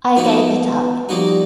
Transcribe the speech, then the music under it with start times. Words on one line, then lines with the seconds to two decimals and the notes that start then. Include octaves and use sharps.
I gave it up.
0.16 F3 A#3 B3 D#4 F#4
1.08 F3 G3 A#3 D#4 F#4